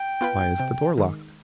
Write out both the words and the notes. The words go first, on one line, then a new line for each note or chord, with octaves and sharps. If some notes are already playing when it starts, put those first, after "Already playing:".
"Why is the door locked?"
Already playing: G5
B3 F4 B4
C3
D#3 G#3